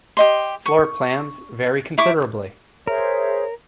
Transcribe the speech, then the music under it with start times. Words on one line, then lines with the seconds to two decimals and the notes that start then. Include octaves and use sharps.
Floor plans vary considerably.
0.17 G4 D#5 C6
0.66 C#6
1.98 E4 C#6 D6
2.87 G#4 A#4 C5 C#5 E5